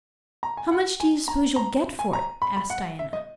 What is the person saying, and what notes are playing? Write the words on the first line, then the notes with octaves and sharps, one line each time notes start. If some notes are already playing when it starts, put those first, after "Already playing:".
"How much do you suppose you'll get for it?" asked Diana.
A#5
G#5
F#5
G#5
A#5
A#5
G#5
A#5
B5
B5
F#5
E5
D#5